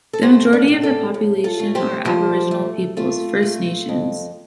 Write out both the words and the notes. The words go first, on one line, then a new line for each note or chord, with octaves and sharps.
The majority of the population are Aboriginal peoples, First Nations.
A4
A3 G4 C5
D4
A2
A4 D5
A2
F4 A4
A3
G4 C5
F3 G4 C5
A3
A3 F4
A3
F2